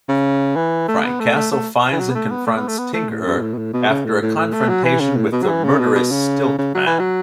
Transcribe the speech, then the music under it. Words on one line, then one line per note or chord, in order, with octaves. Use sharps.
Frank Castle finds and confronts Tinkerer after a confrontation with the murderous Stilt-Man.
C#3
E3
A3
B3
A3
A3
A3
E3
F#3
B3
A3
B3
A3
B3
A3
B3
A3
A2
F#2
B2
A2
B2
A2
B2
C#3
A2
A2
A2
A3
F#3
E3
C#3
A2
B2
F#3
E3
C#3
B2
B2
C#3
C#3
F#3
E3
F#3